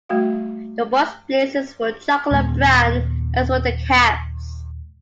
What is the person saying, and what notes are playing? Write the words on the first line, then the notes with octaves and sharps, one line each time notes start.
The boy's blazers were chocolate brown, as were the caps.
G3 A3 F#4 F5
D#2 A#2 G#3 B3